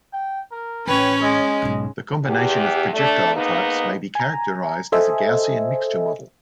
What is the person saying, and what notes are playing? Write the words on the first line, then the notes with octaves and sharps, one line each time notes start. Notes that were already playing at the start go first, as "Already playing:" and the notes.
The combination of projectile types may be characterized as a Gaussian mixture model.
G5
A#4
A1 C#4 B4 C#5 G5
G#3 D#5
B1 G#2
E2 G4
A3 D4
G#2 A#3 B3 D#4
G#5 A#5
A4 C5 D#5 E5 G#5